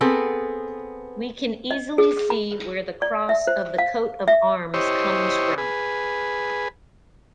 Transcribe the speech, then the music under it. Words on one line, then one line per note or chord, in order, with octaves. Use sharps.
We can easily see where the cross of the coat of arms comes from.
B3 C4 G#4 A4 B4
D#5
G#4
B5
D5
E5
C5
F5
E5
E4 G4 C5 C#5 D#5
G#4 B4